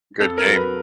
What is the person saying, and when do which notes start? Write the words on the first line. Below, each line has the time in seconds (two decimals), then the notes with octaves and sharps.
good game.
0.20 F2 A4
0.38 A#4
0.47 F#3
0.56 B4